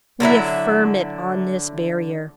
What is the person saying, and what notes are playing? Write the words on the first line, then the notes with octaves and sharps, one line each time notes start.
We affirm it on this barrier.
D3 F#3 E4 E5